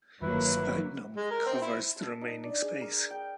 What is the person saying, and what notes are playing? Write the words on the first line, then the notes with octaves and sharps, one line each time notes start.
Sphagnum covers the remaining space.
G1 D#3 F3 F#3 A#3 E4 B4
G#3
A#4
C4
E4
A5
D#4
D4
G#4
A#4
G5